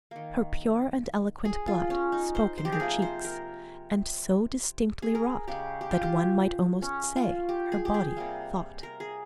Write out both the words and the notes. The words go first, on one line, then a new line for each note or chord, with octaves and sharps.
"Her pure and eloquent blood Spoke in her cheeks, and so distinctly wrought, That one might almost say her body thought."
D#3 A#3
G#4
F4
C#4
D#4
C5
C5
G4
G#4
C3 F3 A#3 A#4
C5
A#4
G#4
A#4
C#3 G#3 G4
G4
F4
G4
C#4
F4
G4
G#4
G4
G#4
C3 G3 A#3
A#4
G#4